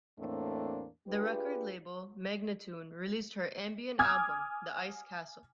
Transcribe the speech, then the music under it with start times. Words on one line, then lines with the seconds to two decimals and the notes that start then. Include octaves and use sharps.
The record label, Magnatune, released her ambient album, "The Ice Castle".
0.19 E2 A2 A3 A#3 C4 D4
1.08 D4 F4 G4 G#4 B4
3.99 G#5 D6 D#6 F6 G#6